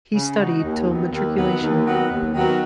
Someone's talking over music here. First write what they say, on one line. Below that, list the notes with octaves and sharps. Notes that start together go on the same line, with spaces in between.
He studied till matriculation.
C#3
G#3 D#4 F#4
D#2
D#3 F#3 B3
D#2
D#3 F#3 B3
D#2
D#3 F#3 B3
D#2
D#3 F#3 B3